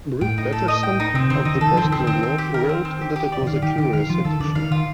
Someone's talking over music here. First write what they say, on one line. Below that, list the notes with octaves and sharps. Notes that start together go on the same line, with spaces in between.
Britt Peterson of the "Boston Globe" wrote that it was a "curious addition".
A2 G5
D#4
A4
D#5
G5
D#4
C3 C4
D3 C4
D#3 D#4
D3
D#3 A4
F3 C4
D#3
D3 C4
D#3 C4
C4
G4
A#4
C4
C4
G4
G4
D5
D3
D#3 F5
D#3 G4
D#3 G4
D#3 F5
F3 F4
D#3 A4
D3 D5
D#3 F5
D#3 F4